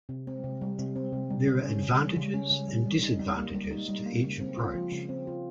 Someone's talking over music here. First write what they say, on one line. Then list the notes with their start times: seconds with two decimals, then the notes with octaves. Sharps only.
There are advantages and disadvantages to each approach.
0.09 C3
0.27 C4
0.44 C3
0.61 G3
0.79 C3
0.96 C4
1.13 C3
1.30 G3
1.47 C#3
1.64 C#4
1.82 C#3
1.99 G3
2.16 C#3
2.34 C#4
2.51 C#3
2.68 G3
2.86 G3
3.03 D#4
3.20 G3
3.37 A#3
3.54 G3
3.71 D#4
3.89 G3
4.06 A#3
4.24 C#3
4.40 C4
4.57 F4
4.75 F3
4.92 C#3
5.09 C4
5.27 F4